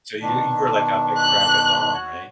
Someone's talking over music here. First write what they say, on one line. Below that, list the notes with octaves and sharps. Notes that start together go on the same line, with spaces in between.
So, you you were like up at the crack of dawn, right?
B2 D#3 D4
F#6
F#4 C#5